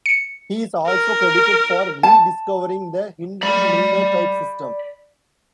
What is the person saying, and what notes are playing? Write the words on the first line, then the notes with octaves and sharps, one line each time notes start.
He is also credited for rediscovering the Hindley-Milner type system.
C#7
A#4
A5
D5 B5